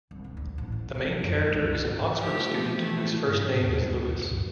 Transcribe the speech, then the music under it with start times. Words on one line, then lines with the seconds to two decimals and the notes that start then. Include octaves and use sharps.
The main character is an Oxford student whose first name is Lewis.
0.11 C2
0.24 C3
0.37 D2
0.58 A1
0.72 D2
0.95 A3
1.08 F3
1.22 F#2
1.39 G#3
1.53 C#2
1.75 A3
1.87 G#2
2.18 F3 A3 G4
2.77 E3 A3
3.26 G2
3.44 A2
3.60 D#2
3.89 D2
4.11 C#2
4.31 F#2